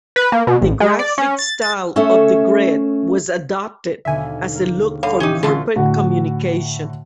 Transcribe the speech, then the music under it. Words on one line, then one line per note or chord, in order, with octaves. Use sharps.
The graphic style of the grid was adopted as a look for corporate communication.
B4
A#3
B2
A1
G#3
D5
C#4
A6
A6
A3 C#4 A4 C#5 E5
D#2 B2 D3 E5 G#5
A#3
D3 G3 C#5 F5
A#1 E3 C#4 D#4 G4
D3 A3 C4 C#4 F4 F#4 A#4
A2 D3 F#4